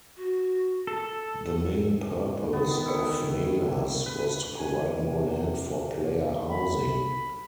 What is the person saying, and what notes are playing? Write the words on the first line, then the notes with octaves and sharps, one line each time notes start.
The main purpose of Malas was to provide more land for player housing.
F#4
A4
D#3 B3
E4 C#6
B4
G#5
C3
B5